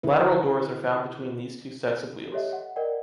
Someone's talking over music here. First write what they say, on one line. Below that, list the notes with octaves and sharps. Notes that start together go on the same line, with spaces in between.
Lateral doors are found between these two sets of wheels.
D3 E4 B4
G4 A4 C#5 D#5 E5
F#5
A#4 D5 D#5 F#5 G5